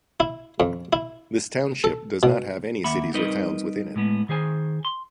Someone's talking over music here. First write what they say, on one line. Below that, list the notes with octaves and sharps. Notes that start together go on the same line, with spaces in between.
This township does not have any cities or towns within it.
E4
F2
E4
A4
B2
D#2 A#3 E5 F#5 B5
G3 C4 D#4 A#4 B4 D#5
A2 G#3 B3
D#3 G#4 C5 G#5
C6